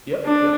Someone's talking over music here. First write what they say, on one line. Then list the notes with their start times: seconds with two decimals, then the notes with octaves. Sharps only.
Yep, yep.
0.25 D4